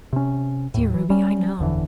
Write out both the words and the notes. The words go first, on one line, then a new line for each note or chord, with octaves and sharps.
"Dear Ruby, I know."
C3 C#4
D#2 A2
E3
G3 C#4
F#1 E2 D3 E3